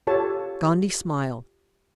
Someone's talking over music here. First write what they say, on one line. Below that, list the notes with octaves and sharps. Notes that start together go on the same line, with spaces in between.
Gondy smiled.
F4 G4 A4 C#5 A5